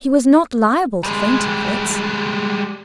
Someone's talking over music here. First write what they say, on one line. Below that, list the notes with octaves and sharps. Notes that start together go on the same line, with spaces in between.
He was not liable to fainting fits.
G3 G#3